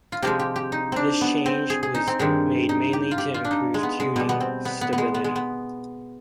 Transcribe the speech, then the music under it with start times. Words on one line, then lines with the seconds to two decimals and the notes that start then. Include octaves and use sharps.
This change was made mainly to improve tuning stability.
0.12 F4
0.22 C3 F3 G#3 G4
0.39 G4
0.56 G4
0.72 D#4
0.92 C4 D4
1.21 B3
1.46 C4
1.70 G#4
1.83 G#4
1.95 D#4
2.07 C4
2.19 G2 D#3 G#3
2.69 D#4
2.93 G4
3.11 F4
3.18 G4
3.34 F4
3.44 D4
3.51 D#4
3.74 G#3
3.83 B3
4.00 G#3
4.16 B2 G3 B3
4.29 B3
4.40 C4
4.65 B3
4.81 B3
4.93 B3
4.98 G#3
5.14 B3
5.24 G#3
5.36 B3